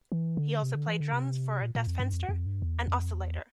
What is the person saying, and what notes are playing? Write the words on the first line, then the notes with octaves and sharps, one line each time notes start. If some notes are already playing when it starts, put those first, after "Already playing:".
He also played drums for Das Fenster and Oscillator.
E3
D3
C3
D3
E3
D3
C3
A#2
A#2
F2
G2
F2
F2
G2
E2
F2
E2